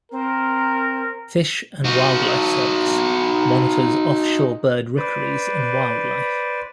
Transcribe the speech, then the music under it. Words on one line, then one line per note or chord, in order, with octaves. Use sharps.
Fish and Wildlife Service monitors offshore bird rookeries and wildlife.
C4 A#4
D#4 F#4
B4 C5 D5